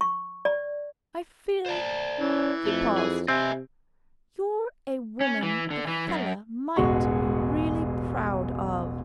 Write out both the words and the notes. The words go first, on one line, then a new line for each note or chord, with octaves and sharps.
I feel'--he paused--'you're a woman a fellah might be really proud of.'
C#6
D5
C5 D5 A5
E3 C#4
F2 A3
G#4
C3 C4 D#5 E5 G#5
C#4
E3
D3
E3
F#2
E1 A1 G#3 F#4 C#6